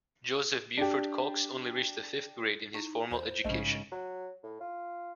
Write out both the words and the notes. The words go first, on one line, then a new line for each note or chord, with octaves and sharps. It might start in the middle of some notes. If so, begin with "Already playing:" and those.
Joseph Buford Cox only reached the fifth grade in his formal education.
D4 G4
D#4 E4 C#6
E2 C5
A#1 G#2 C#3 A3 D#5 F6
F#3
A2
F4